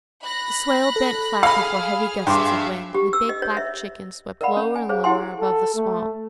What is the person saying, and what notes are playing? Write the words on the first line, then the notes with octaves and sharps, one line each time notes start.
The swale bent flat before heavy gusts of wind, and the big black chicken swept lower and lower above the swamp.
B5 F#6 A#6
A4
G#4 F5 B5 F6
G2 G#4 E5 F5 G5 C6 D6
G4
E6
D#5
C#5
E5
A#4 D5 D#5 F5 F#5 B5
C#4
G#5
G#4 C5 C#5 F5 G#5
E4 G4 F#5 G#5 C6
A4
A3